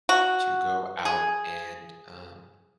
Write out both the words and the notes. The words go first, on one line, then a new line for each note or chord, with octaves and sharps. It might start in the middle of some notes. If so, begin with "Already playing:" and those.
to go out and, um,
F#4
G#4